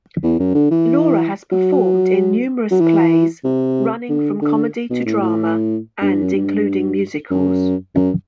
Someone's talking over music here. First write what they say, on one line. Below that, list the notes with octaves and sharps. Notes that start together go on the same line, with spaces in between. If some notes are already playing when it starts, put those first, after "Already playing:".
Laura has performed in numerous plays, running from comedy to drama, and including musicals.
E2
F#2
D3
E3
F#3
F#3
E3
C3
D3
D3
B2
A2
A2
G2
F#2
G2
F#2
F#2